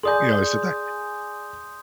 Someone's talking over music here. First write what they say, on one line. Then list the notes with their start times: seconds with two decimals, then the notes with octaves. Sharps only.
you know, I sit there?
0.03 G#4 D5 G#5 C6 D#6 G6